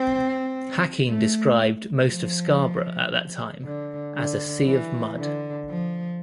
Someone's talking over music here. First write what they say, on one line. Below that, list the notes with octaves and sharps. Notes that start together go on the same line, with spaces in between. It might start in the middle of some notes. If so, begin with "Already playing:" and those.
Hacking described most of Scarborough at that time as a "sea of mud".
Already playing: C4
A3
F3
D3
D3
E3
D3
F3